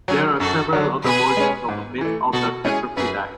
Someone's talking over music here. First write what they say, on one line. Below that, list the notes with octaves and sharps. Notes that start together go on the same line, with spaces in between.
There are several other versions of the myth of the Kekropidai.
F#3 C#4 G#4
F#2 F#4 A4
D3 F#3
B2 G#4 B4
G#3 C#4
G#2
E3 A3
B2 F#4 A4
G#3 C#4 E4 G#4
F#2 G#4 B4